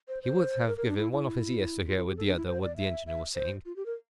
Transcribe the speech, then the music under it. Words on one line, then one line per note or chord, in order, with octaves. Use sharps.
He would have given one of his ears to hear with the other what the engineer was saying.
C5
C5
A#4
A#4
D4
E4
E4
F4
F4
G4
A4
D4
E4
C5
D5
E5
E5
C5
F4
G4
A#4